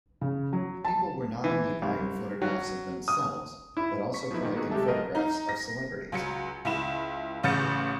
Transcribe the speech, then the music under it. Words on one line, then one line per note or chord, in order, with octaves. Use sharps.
People were not only buying photographs of themselves, but also collecting photographs of celebrities.
C#3
F#3
A5
E3
C2
F#3
D#6
E4
C#6 B6
F3 F#3 B3 D#4 E4
A#2 D#3
A#3 B3 D#4 F#4 G#4 A4
C3 G#3 G4 A4 E5 A5
C#2 F#3 A#4 B4 D#5
D#4
A#6
C#2 F#3 C#7
C#2 E4 E7
A1 C#3 G6 A6 C#7